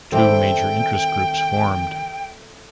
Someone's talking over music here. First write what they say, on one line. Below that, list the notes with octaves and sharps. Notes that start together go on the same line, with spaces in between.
Two major interest groups formed.
D#3 G3 C4 A4 E5 G5